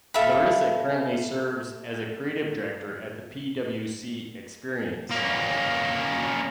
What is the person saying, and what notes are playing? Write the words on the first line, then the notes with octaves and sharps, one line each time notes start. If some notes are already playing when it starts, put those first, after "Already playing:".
Larissa currently serves as a Creative Director at the PwC Experience Center.
A4 E5 F5 B5
A#3 C#4